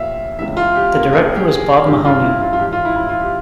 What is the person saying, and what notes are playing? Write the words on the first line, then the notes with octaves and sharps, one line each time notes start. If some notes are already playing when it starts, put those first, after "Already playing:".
The director was Bob Mahoney.
Already playing: A#1 A#2 E5 F5
C#2 C#3 E3 E5
F4
G4
A#4
A#1 A#2 A#4
G#4
G4
G#4
G1 F2 C#3 E3 G4
F4
E4
F4
F4
G#1 G#2 E3 G4
F4
E4
E4
F4
G4